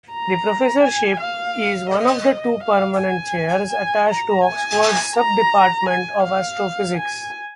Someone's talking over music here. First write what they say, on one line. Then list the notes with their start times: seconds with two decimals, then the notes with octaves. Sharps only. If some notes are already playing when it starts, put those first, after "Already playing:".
The professorship is one of two permanent chairs attached to Oxford's Sub-Department of Astrophysics.
0.11 A#5
0.83 G#5
1.20 F5
1.91 D#5
2.63 F5
2.99 G#5
3.72 G#5
4.08 A#5
4.44 G#5
5.16 A#5
5.89 G#5
6.24 F5
6.97 G#5